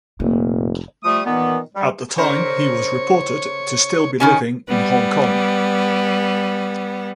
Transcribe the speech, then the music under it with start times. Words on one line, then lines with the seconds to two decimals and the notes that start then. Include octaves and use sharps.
At the time he was reported to still be living in Hong Kong.
0.20 F1 A#2
1.03 F3 G3 A3 D#6
1.26 A#2 D#3 E3 B3
1.74 G3
2.18 C#3 A#4 C5 C#5
4.20 D#3 C#4 C#5 G#5
4.67 G3 B3